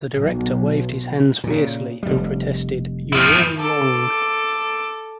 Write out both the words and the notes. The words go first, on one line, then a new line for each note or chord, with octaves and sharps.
The director waved his hands fiercely and protested You're all wrong!
B1
A#2 C#3
F1 G3
F3 E4
A4 D6